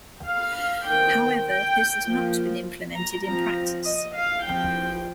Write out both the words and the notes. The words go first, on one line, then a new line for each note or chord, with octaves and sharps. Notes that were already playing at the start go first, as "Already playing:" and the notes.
However this has not been implemented in practice.
F5
D#3 C4 G5
G5
F3 A#3
A#5
F3 C4 A#5
D#5
F5
F3 C4 G5